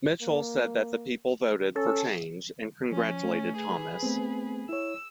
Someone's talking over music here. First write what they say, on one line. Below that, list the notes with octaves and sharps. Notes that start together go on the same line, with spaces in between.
Mitchell said that the people voted for change and congratulated Thomas.
A#3
C#4 A4
F3 C#4
A3
G#4 B4
A3 B3 C4
E4 C#5 E6